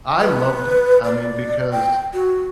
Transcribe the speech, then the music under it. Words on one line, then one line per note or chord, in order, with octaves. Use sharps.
I loved it, I mean, because
B4
D5
G5
F#4